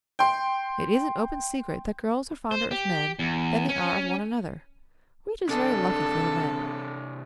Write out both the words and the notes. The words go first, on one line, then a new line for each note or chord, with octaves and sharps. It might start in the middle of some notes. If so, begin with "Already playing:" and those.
It is an open secret that girls are fonder of men than they are of one another--which is very lucky for the men.
G5 C6
C5
G4
E2
C#4
C3 D4 G#4 A4